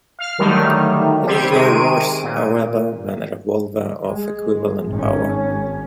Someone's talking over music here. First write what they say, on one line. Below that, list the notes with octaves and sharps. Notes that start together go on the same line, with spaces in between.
It is no worse, however, than a revolver of equivalent power.
F5 F6
D3 D#3 F#3 G3 A3 D#4
G3 C4 G4 C6 G#6
C3 D#3 G#3 D7 D#7
A#2
G#3
G#1 C#4